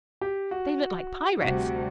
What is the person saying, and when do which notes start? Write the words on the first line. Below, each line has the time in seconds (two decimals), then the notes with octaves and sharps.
"They look like pirates."
0.21 G4
0.51 F#4
1.41 D2 C3 G3 F#4